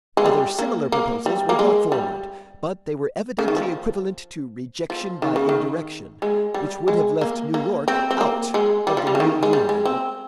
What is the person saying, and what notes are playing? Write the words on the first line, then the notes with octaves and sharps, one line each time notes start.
Other similar proposals were brought forward, but they were evidently equivalent to rejection by indirection, which would have left New York out of the new Union.
G#3
G3
A#3
A#3
G3
A#3
G#3
G3
C#3
D#3
F3
F3
D#3
C#3
D#3
G#3
G3
G#3
A#3
A#3
C4
C4
A#3
G#3
G3
F3
G3
C#3
D#3
G#3
G3
G#3
C4